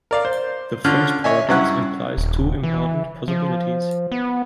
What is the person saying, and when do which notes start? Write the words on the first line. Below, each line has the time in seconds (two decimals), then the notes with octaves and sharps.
The French paradox implies two important possibilities.
0.11 A#4 D5 F5
0.25 C5
0.85 D3 C#4 F4 F6
1.24 C#5 D#5 E5 G#5
1.49 G2 F#3 C#4 E4 F#5 F#6
2.17 D#1
2.63 E3
3.28 F3
4.12 B3